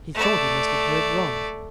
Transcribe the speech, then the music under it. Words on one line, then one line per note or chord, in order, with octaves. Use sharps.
He thought he must have heard wrong.
A3 D5